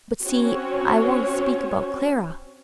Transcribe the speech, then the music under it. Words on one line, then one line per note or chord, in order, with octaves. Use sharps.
But see, I want to speak about Clara.
C4 C#4 F#4 C#5